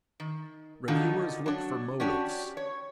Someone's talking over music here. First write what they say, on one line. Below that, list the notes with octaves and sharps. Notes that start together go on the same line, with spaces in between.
Reviewers look for motives.
D#3
D3 D#3 D#4 F4 F#4
F#3 D4
C#4 D4 F#4 G4
C#5